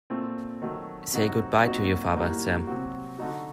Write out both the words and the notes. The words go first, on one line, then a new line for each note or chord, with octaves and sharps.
Say good-bye to your father, Sam.
A#2 A3 C4
D#3 F#3 A3
C3 F#3 C4 D#4 F#4
A#2 F#3 C4 D#4 F#4
A2 G3 A#3 D#4 F#4
C3 F#3 C4 F#4
D3 A3 D#4 F#4